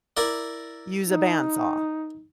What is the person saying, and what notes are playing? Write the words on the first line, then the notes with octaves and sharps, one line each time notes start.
use a band saw
E4 A#4 D5
D#4